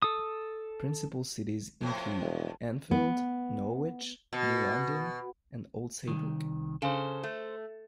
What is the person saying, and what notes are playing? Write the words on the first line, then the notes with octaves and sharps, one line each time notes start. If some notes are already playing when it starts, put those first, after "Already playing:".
Principal cities include: Enfield, Norwich, New London, and Old Saybrook.
A4 D#6
F2 A2 B3
E1
B3
B2
C2 D#3
C#3 A4 C5
A3